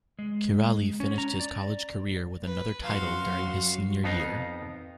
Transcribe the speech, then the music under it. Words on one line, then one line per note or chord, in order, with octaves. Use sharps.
Kiraly finished his college career with another title during his senior year.
G#3
C#4
A#5
D5
B4
F#2 F#4 F5 C6
F2 B3 D#4 F5 A#5